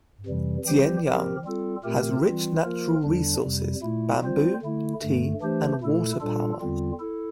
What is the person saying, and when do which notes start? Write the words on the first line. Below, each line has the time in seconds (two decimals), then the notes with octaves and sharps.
Jianyang has rich natural resources: bamboo, tea and water power.
0.26 F2 C3 E3 G3
0.64 E3 G3 C4 G4 C5
1.04 F3 C4 G4 A#4
1.45 G3 C4 F4 A4
1.84 A#2 A3 C4 G4 A#4
2.24 E3 G3 C4 F4
2.63 F3 A#3 F4 A#4
3.03 E2 D3 G3 D4
3.43 F2 C3 G3
3.82 A#2 A3 E4
4.22 G3 C4 F4 C5
4.62 D3 A3 E4
5.02 G2 D3 A3
5.41 E3 A3 D4 G4 C5
5.81 A#2 A3 E4 A4
6.21 A#2 G3 D4 F4 A4
6.60 E2 D3 G3 C4 F4
7.00 E4 A4